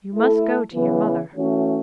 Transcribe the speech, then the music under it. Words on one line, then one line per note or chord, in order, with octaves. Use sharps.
"You must go to your mother."
A3 E4 A4
C#3 E3 B3
E3 A3 C#4 F#4